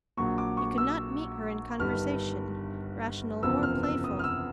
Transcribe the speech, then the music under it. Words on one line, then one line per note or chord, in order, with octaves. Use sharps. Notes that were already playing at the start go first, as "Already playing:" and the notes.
He could not meet her in conversation, rational or playful.
A#1 A#2 F#3 C#6
D6
C#6
E6
G1 G2 D#3 G3 F6
F#1 E2 C3 F3 E6
F6
E6
D#6
F6
E6